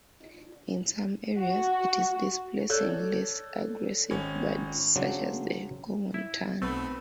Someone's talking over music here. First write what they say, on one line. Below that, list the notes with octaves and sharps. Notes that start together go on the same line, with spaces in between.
In some areas, it is displacing less aggressive birds such as the common tern.
F#4
A4 C#5 D5 E6 F#6 G6
G#1 C#4
C#3 F#3 C4 D4
E4
B1 A3 B3 C4 B4